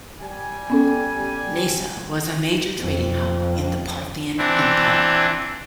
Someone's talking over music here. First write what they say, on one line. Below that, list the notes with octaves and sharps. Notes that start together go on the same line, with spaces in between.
Nisa was a major trading hub in the Parthian Empire.
G3 G#5
B3 C#4 A4
F2
E3 C4 D4 E4